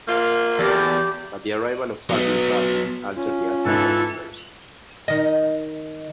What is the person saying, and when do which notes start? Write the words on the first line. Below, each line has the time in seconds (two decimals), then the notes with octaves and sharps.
But the arrival of Fabius Valens altered the aspect of affairs.
0.08 A#3 F4
0.59 E2 F#3 G4 A4 D5
2.09 F#3 B3
3.17 C#4 F4
3.65 G#2 E3 D#4 A4 D#5
5.08 D#3 D#5